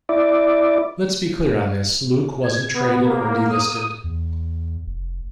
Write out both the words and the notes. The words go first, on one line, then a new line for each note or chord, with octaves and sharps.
Let's be clear on this, Luke wasn't traded or delisted.
E4 D5
G#6
B3
A#3
D#6
E2
F1